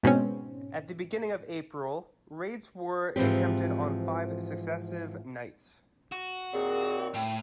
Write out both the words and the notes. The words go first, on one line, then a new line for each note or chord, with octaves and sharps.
At the beginning of April raids were attempted on five successive nights.
G#2 B2 C4 C#4
G#2 E3 F3 C4 G4
F#4
D#2 A#2 C4 G#4
A2 G5